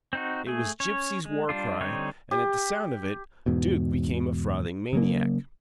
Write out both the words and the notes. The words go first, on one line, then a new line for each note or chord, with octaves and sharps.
It was Gipsy's war-cry, and, at the sound of it, Duke became a frothing maniac.
C4 D#4 F#4
A3 G#4
C#4 C#5
G#3
G3 D4 F4
D3 G3 C4 D#4 C#5
G4
E2 G#2 B2
C#3 F#3 A#3